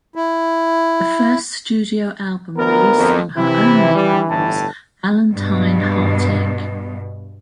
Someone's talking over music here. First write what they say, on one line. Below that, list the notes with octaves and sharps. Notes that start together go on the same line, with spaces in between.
The first studio album released on her own label was "Valentine Heartache".
E4
D2 B3 A#4
F2
C3 E3 E4
G3
G1 A2 A5
G2 B2